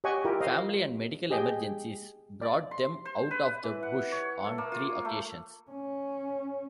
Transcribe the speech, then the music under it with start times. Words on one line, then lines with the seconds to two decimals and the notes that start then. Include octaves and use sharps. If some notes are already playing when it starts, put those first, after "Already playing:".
Family and medical emergencies brought them out of the bush on three occasions.
0.04 G4 C#5 D#5 F#5 G#5 C#6
0.24 E4 F4 G4 A#4
0.41 C5 D#5 F5
1.30 G4 G#4 D#5 G5
2.41 D5
2.71 C6
3.05 C5
3.31 B4
3.63 E3
3.83 F#5
4.12 C#5
4.44 A4
4.58 A#3
4.72 F4
5.05 A3
5.71 C#4